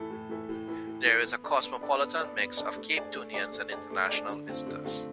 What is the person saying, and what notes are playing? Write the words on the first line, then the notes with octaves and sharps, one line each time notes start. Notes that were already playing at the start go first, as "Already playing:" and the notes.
There is a cosmopolitan mix of Capetonians and international visitors.
Already playing: A2 E3 A3 E4 A4
A2
E3 A3 E4 A4
A2
E3 A3 E4 A4
A2
E3 A3 E4 A4
B3
D4 A4 D5
B3
D4 A4 D5
B3
D4 A4 D5
B3
D4 A4 D5
A3
D4 G#4 D5
A3
D4 G#4 D5
A3
D4 G#4 D5
A3
D4 G#4 D5
D3
A3 C4 F4
D3
A3 C4 F4